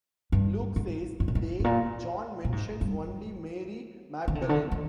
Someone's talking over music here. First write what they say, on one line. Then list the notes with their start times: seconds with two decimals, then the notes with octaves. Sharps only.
Luke says "they," John mentions only Mary Magdalene.
0.32 G2
0.76 G#2
1.20 G#2
1.28 A#2
1.35 G#2
1.60 G#2
1.64 A#2
2.45 A#2
2.52 G#2
2.81 G2
4.28 D#3
4.35 D3
4.42 C3
4.49 D3
4.72 D#3